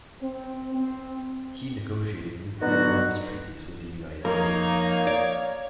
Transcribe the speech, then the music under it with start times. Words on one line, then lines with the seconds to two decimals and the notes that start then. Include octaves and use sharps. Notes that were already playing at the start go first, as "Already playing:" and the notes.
He negotiated nuclear arms treaties with the United States.
0.21 C4
0.75 C4
2.61 B2 D3 F#3 B3 D#4 F#4
4.25 F2 A#3 D#4 A#4 C#5 F5
5.07 D5